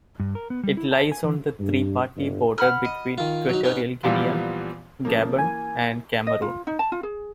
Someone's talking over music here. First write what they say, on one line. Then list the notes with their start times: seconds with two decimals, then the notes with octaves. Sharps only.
It lies on the three-party border between Equatorial Guinea, Gabon and Cameroon.
0.20 G2
0.35 A#4
0.50 B3
0.64 G3
0.77 E4
0.91 A5
1.12 G#5
1.24 E3
1.60 G2
2.15 G1
2.58 F#5 B5 F6
2.85 D#5
3.18 D#3 F4
3.49 F#3 D#4
3.64 B3 C#4 D#4
4.03 A#2 E3 F3 G3 B3 F4
5.05 C#3 F3 A#3
5.38 E3 A#3 G#5
6.27 D#5
6.42 F4
6.67 D#4
6.79 A5
6.92 F4
7.03 G#4